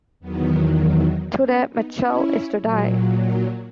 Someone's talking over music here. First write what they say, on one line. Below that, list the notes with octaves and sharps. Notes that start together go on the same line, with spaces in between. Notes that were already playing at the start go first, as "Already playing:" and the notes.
Today Mitchell is to die.
E2 D#3 F#3 B3
A#3 C#4
B3 D#4
C#4 E4
A#2 F#3
D#4 F#4